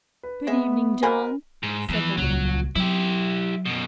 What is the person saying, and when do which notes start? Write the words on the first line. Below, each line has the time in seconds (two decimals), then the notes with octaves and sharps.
"Good evening, John!" said the little man.
0.23 B4
0.47 G#3 B3 E5
1.03 B2 A#4 C5 G#5 B5
1.63 G#2
1.89 E2 E3 F3
2.17 D#1 C#2 F#3
2.75 F#3 E4 G4
3.66 F#2 B2